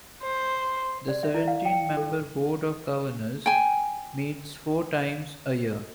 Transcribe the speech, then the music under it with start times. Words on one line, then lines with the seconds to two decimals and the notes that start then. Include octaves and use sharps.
The seventeen-member Board of Governors meets four times a year.
0.23 C5
1.08 D5
1.23 E5
1.34 E4
1.48 F5
1.65 G5
1.97 A4
3.46 G5 G#5